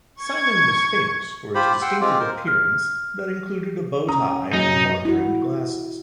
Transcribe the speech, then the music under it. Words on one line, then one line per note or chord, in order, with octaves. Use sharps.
Simon was famous for his distinctive appearance that included a bowtie and horn-rimmed glasses.
C#6 G#6
F4 G4 C5 B5
F#5 G5 C6 E6
G#3 C4 F4 G4
A#4 C5
F6
C#4 A#5 D#6
F#2 D#4
E4 F#4